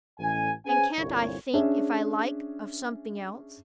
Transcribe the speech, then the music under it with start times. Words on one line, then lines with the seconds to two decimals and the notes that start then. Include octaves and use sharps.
And can't I think, if I like, of something else?
0.19 A1 G#5
0.66 C#4 G#4 B4 C5 G#5
0.97 G1 C2 A#2 C#5
1.53 C#4 D4 G#4 E5